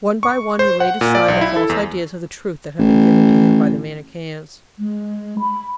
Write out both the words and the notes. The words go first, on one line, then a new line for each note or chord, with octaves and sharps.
One by one he laid aside the false ideas of the truth that had been given to him by the Manicheans.
C#6
C5
F#5
A#2
D5
B1
E4
A4
E2
A1
G#3
B5